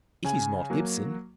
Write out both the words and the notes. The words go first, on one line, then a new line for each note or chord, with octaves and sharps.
It is not Ibsen.
C#3 G#5
F#3 A#3 F#4